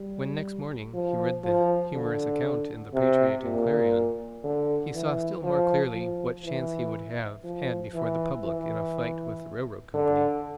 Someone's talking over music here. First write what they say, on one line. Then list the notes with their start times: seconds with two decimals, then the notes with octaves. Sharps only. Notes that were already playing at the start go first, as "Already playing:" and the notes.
When next morning, he read the humorous account in the Patriot and Clarion, he saw still more clearly what chance he would have had before the public in a fight with the railroad company.
Already playing: G3
0.94 F3
1.44 F3
1.94 D3
2.94 C3
3.44 A#2
4.44 D3
4.94 E3
5.44 F3
5.94 F3
6.44 E3
7.44 F3
7.94 E3
8.44 E3
9.94 D3